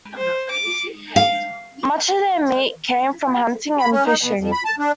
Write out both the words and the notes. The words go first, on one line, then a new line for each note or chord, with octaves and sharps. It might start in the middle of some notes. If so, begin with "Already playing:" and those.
Much of their meat came from hunting and fishing.
C5
D6
F5
B5
C#4
D#4
B2
F2
B5
A5
D4